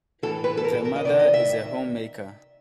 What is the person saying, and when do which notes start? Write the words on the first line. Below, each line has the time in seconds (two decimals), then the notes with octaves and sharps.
The mother is a homemaker.
0.23 A2 E3 A4
0.44 B4
0.57 A4
0.64 A#4
0.75 A4
0.85 A#4
0.96 D#5
1.05 C3 D#3 D5
1.19 D#5
1.34 E5